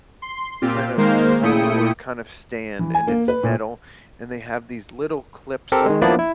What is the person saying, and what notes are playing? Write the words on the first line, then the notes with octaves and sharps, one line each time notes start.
kind of pole or kind of stand, and it's metal, and they have these little clips on it,
C6
A#2 C4 F4 G4
D#3 G#3 A#3 A#4 C5 F5
A#2 A3 E4 G5 D#6 C#7
E3
G#5
A#3
B4
A#2
C4 G4 A4 A#4
D#3 G#3
F3 A#3 B3 D4 E4 D5
E4